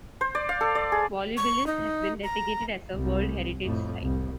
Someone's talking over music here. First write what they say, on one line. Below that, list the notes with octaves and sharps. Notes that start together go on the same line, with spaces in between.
Volubilis has been designated as a World Heritage Site.
C5
D5
F5
A4
D5
G#4
C#6
D#4
A#5
C2
F2 A2
C2